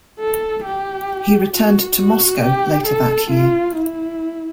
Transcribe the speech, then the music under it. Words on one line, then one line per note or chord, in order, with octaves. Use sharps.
He returned to Moscow later that year.
A4
G4
F#4
F#4
G4
A4
F4
E4